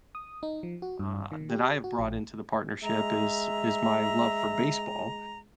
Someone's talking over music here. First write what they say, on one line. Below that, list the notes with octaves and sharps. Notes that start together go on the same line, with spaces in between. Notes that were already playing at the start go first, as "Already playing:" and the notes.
uh, that I have brought into the partnership is is my love for baseball,
D#6
D#4
F3
F#4
G2
D#3
G4
F#4
A#1
G#3 E5 A#5